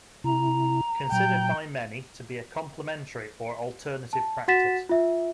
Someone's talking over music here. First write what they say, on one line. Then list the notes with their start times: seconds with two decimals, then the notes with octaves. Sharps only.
Considered by many to be a complementary or alternative practice.
0.24 C3 E4 A#5
1.12 A#2 F#3 G5
4.13 A5
4.48 F#4 F#5 A6 B6 E7
4.89 F4 E5